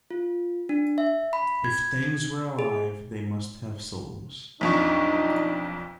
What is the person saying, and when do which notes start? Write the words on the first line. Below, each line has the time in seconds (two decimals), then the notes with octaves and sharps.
If things were alive, they must have souls.
0.11 F4
0.69 D4
0.98 E5
1.33 B5
1.64 G#6
2.59 G#4
4.61 B1 F2 D4 D#4 C#6